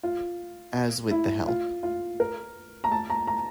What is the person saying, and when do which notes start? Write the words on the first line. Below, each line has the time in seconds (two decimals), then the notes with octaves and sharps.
As with the Help!
0.03 F4
1.11 E4
1.47 F4
1.83 F4
2.20 A#4
2.84 A#5
2.92 A5
3.10 A#5
3.27 A#5